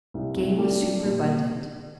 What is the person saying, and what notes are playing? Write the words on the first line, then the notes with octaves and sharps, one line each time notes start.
Game was superabundant.
C2
C2
G3
D4
A#2